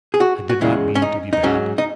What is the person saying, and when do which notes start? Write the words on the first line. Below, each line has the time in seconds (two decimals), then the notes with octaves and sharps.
I did not mean to be bad.
0.14 G#4
0.20 F#4
0.49 F#4
0.61 E2 C#3 G#3 E4
0.95 C#4
1.02 D#4
1.33 D#4
1.43 G#2 F#3 C#4
1.78 D#4